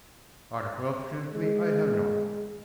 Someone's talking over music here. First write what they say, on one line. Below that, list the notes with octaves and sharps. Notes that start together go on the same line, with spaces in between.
"Unfortunately, I have not."
G#3